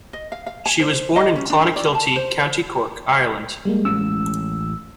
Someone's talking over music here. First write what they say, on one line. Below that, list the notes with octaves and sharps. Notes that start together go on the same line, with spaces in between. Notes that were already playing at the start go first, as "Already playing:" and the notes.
She was born in Clonakilty, County Cork, Ireland.
D#5
F5
F5
G#5
C5
D#5
C#4
D4
D5
A5
C5
G3 G#3 A#3
A1 G#3 C#4 E6